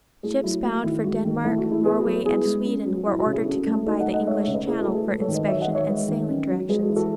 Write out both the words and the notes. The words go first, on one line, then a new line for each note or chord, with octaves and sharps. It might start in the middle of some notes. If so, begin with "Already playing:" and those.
Ships bound for Denmark, Norway, and Sweden were ordered to come by the English Channel for inspection and sailing directions.
A3 E4 G#4
F#3 E4
A3 F#4
D#3 E4
G#3 F#4
D#3
A3 E4
F#4
E3
E4 G#4
B3 G#4 B4
F#4
F#3 G#4
F#4
B3 E4 G#4
G#3
C#4
F#3
F#3 E4
F#4
C#3
E4 G#4
C#4 F#4 A4
A3
D#4 F#4 A4
D#5 F#5
A3
D#5 F#5
G#3 C#5 E5
C#5 E5
C#3
B4 D#5
E4 G#4 B4
F#4 A4
A3
E4 G#4
G#3 G#4 B4
A4 C#5
D#3
B4 D#5
F#3 C#5 E5
D#5 F#5
D#3
C#5 E5
G#3 B4 D#5
D#3
C#4
F#3
G#3 G#4 B4
F#4 A4
E3
F#4 A4